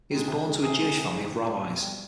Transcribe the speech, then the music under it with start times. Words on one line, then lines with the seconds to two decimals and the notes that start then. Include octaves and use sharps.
He was born to a Jewish family of rabbis.
0.11 D#3 G#3
0.28 C3
0.45 D#3 G#3
0.63 C3 G#4
0.80 D#3 G#3
0.97 C3
1.13 D#3 G#3
1.31 B2
1.47 G3
1.66 B2
1.82 G3